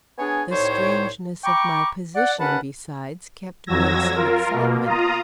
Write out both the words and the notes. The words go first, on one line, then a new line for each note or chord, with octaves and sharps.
The strangeness of my position, besides, kept me in some excitement.
B3 D4 G#4 C#5 G#5
C2 A2 D#4 C5 C#5
G5 A#5 B5 C#6 D6
D5 F#5
D#2 C#4 B4 F#5 A5 B5
F2 F#3 E6 G#6 A#6
F4 A#4
B2 A#3
F4 A#5 D#6